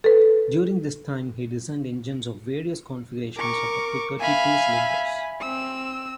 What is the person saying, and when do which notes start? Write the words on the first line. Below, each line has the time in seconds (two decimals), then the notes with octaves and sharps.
During this time, he designed engines of various configurations of up to thirty-two cylinders.
0.04 A4 B4
3.37 A#4 C#6 D6
4.20 E5 F5 G#5 B5
5.41 C4 E6